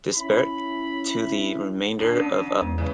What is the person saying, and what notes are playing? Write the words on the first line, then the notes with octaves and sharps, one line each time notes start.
Disparate to the remainder of Up!
C#4 E4 B5
D#2 D4 C7
C#4 D#7
E2 G#3
C#3 E3 D5